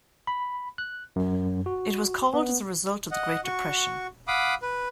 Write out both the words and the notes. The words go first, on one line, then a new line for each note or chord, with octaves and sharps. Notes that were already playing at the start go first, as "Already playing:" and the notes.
It was called as a result of the Great Depression.
B5
F#6
F#2
F#4
B3
D#5 F#5
F#4 C#6
F5 F#5 B5 D6 D#6
B4